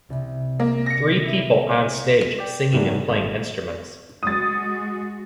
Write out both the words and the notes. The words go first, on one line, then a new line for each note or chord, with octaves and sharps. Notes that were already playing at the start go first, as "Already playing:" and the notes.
Three people on stage singing and playing instruments.
C2
A#3
A#6 C#7
E4
D5 G5
G#2 D#3 E3 F#3 G3 A3
G#1 F4 A4 E5 F5
G#3 F#4 D#6 A6